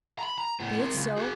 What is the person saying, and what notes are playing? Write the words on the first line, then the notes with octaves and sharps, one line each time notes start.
Be it so.
A#5 B5
A#5
A2 B3
C4 A#4
C#2
F#4 G#4